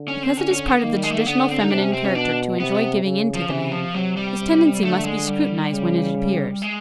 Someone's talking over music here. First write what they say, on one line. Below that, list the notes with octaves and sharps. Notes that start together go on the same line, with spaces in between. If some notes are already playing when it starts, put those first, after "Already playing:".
Because it is part of the traditional feminine character to enjoy giving in to the man, this tendency must be scrutinized when it appears.
Already playing: D3
C#4
C4
D3 C#4
C#4
B3
D#3 A#3
G3
G#3
A3
A#3
D3 B3
C4
D#4
C3 D4
C#4
C4
C#4
B2 D4
C3 B3
B3
C#3
F3
C3 E3
F3
C3 F#3
G3
C3
D3 A3
G#3
G3
C#3
G#3